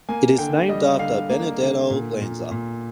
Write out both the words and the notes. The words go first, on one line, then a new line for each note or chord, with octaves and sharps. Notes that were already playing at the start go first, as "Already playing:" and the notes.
It is named after Benedetto Lanza.
A#3 G#5
D3 G5
G3 D#5
D3 F5
A#3
D3
A#2
A#2
A#2